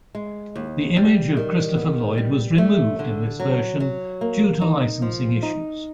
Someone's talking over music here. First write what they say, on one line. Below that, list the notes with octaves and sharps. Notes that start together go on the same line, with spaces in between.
The image of Christopher Lloyd was removed in this version due to licensing issues.
G#3
D#2
G3
D#3
B3
G3
A3
D3
F#3
F#3
A#3
D#4
F3
D#4